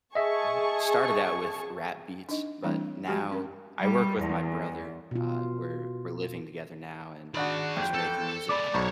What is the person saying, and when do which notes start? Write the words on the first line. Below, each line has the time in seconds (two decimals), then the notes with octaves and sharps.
Uh, started out with rap beats, but now I work with my brother. Uh, we're we're living together now and just making music.
0.15 G#4 D#5 E5 A5 C#6
2.29 D4 D#4 D#5
2.63 E3 G3 A3 C4 D4 E4
3.07 F3 G#3 F#4 G4 G#5
3.31 C#4 A#4
3.77 G3
4.18 E2
5.11 B2 F4
7.35 D#3 D4 F#4 G#4 B5
7.77 G#1 F2 G5
7.94 A4
8.49 G#3 A3 D5 B5 D6
8.74 B1 C5 C#5 B5 C#6